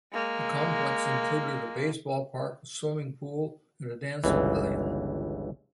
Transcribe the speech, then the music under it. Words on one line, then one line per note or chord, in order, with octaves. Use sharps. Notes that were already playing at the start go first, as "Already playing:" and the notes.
The complex included a basepall park, a swimming pool and a dance pavilion.
G#3 A#3
G1 C#2 E3